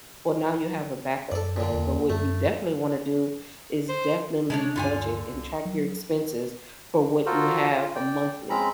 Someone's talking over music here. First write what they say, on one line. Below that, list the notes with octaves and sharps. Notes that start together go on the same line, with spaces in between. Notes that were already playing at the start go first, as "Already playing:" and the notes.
well, now you have a backup plan, but what you definitely wanna do, is definitely budget and track your expenses for what you have a monthly,
F#2 A4 D5
A#2 D3
E2
F#2 A3
C5
C3 G#3 D4 C#5
D1 G2 D3 F4 G#5
C2
F#3
F4 F#4 A4 A#4 C5
F4
D5 G5
G#3 C4 C#4 A#5 B5